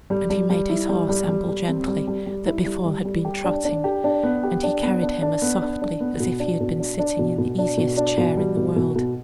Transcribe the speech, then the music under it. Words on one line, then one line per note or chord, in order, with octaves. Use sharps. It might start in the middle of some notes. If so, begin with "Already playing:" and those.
And he made his horse amble gently, that before had been trotting, and he carried him as softly as if he had been sitting in the easiest chair in the world.
G3
G3
G3
E4
G3
G3
G3
G3
C4
G3
G3
G3
E4
G3
G3
G3
G4
D4
D4
G4
D4
B3
G4
D4
B3
D4
D4
B3
D4
D4
B3
B2
D4
B2
D4
D4
B2
B2
D4
B2
D4
B2
G3
B2
B2
B2